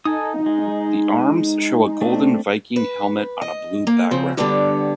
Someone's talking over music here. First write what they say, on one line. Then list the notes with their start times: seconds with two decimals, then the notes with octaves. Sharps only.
The arms show a golden Viking helmet on a blue background.
0.05 D#4 A4 G#5 D#6
0.46 G#3
2.01 A3 C4 D4
2.76 B4
3.41 D#5
3.87 A#3
4.11 C#3 F3 C4
4.37 D3 G3 B3 D4 F#4 G4